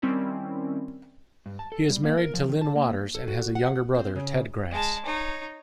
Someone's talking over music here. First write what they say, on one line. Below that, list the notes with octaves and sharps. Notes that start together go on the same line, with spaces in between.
He is married to Lynne Waters and has a younger brother, Ted Grass.
D#3 G3 C4 C#4 E4 A#4
G2
A5
A4
G3
A#3
A#4
F3
D#3
A5
A#3
A4
F#4
F#5
C4
C#3
G#3 A5
D#4 C#5